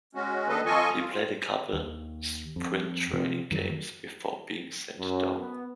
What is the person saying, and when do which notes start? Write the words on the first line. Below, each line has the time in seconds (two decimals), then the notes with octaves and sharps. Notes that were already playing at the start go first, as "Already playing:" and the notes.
He played a couple spring training games before being sent down.
0.15 G#3 C#4 F#4
0.48 D#3 A#3 D4 A4 B4 D#5
0.66 F2 F4 A4 D#5 G#5 C#6
0.92 F4
1.73 D#2
2.56 F2
3.13 C3 F3
3.51 F#2 D#3 F3 F#3
4.98 F#2
5.38 B3